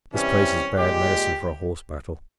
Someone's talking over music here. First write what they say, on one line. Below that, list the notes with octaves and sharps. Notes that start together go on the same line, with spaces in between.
This place is bad medicine for a horse battle.
C3 E3 G3 C#4
A#2 G#3 G4